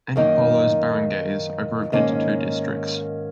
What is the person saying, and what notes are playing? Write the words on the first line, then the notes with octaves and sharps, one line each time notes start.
Antipolo's barangays are grouped into two districts.
F#2 D#3 A#3 D#4
G#2 D#3 A#3 C#4